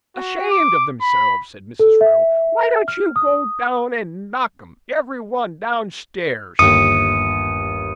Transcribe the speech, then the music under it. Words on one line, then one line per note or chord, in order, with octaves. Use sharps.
'Ashamed of themselves!' said Mrs. Raddle. 'Why don't you go down and knock 'em every one downstairs?
F#4
D6
B5
A4
E5
F6
D#6
G1 D#2 D#6 C#7 D#7